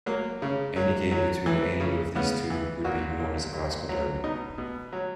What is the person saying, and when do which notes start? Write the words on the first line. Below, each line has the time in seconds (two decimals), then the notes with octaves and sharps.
Any game between any of these two would be known as a Glasgow derby.
0.06 F#3 A#3
0.42 C#3
0.76 F#3
1.12 F#3
1.46 E3
1.80 C#3
2.15 C#3 B3
2.50 E3
2.84 A#2 F#4
3.20 A#2
3.54 A#2
3.89 F#3
4.24 B2 D#4
4.58 B2
4.93 F#3